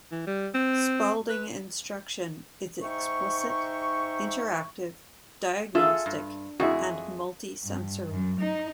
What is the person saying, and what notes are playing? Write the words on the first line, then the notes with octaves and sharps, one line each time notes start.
Spalding instruction is explicit, interactive, diagnostic, and multisensory.
E3
G3
C4
B4
G#2 D#4 E5 G5 C#6
F4 G#4 A4 E5
G2
F2 E4 F#4 G#4
G2
F#2
D#4